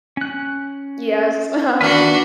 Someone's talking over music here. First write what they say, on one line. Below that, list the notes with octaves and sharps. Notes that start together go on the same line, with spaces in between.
Yes. Uh-huh. Sa
C#4 F#6
D#3 E3 D4 F#4 B4